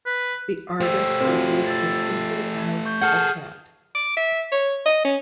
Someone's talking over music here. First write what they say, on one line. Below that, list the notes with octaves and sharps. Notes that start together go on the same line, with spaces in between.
The artist was listed simply as "The Cat".
B4
A3 G4 C5 E6
F3 C4 F#4 C5
E6 A6
C#6 G6
G#4 A4 F#5 D#6 F6 G6
D6
E5
C#5
D#5
C#4